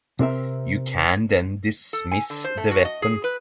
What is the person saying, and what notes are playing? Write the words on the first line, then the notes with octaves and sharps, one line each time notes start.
You can then dismiss the weapon.
C3 C4 A#4 E5
A4
G#5
D3
C5
A3
F#4
D#5
G#4
B4